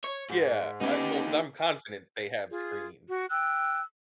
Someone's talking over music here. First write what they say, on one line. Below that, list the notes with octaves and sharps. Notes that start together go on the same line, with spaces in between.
Yeah, I Well, 'cause I'm confident they have screens
C#5
G#2
B3 C#4 D#4 G4
F4 G#4
F#4
G5 E6 F#6